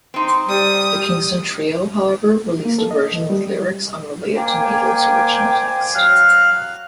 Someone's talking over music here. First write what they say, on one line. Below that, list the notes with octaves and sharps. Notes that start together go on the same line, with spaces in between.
The Kingston Trio, however, released a version with lyrics unrelated to Meidell's original text.
C4 D#4
G3 D#6
A#3
A4
D#5
G3
A#3 C5 D5 G5 G#5
F#3 F5 F6 F#6